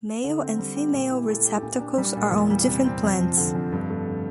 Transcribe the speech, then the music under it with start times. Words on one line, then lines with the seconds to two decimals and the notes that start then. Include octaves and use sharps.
Male and female receptacles are on different plants.
0.24 D3
0.41 C4
0.58 G3
0.76 G4
0.93 A#2
1.11 E4
1.29 A3
1.45 G4
1.63 A#2
1.80 D4
1.98 G3
2.16 A#2
2.32 E2
2.50 G3
2.67 C3
2.85 C4
3.03 F2
3.20 F3
3.37 D3
3.55 F2
3.72 G2
3.90 A3
4.07 D3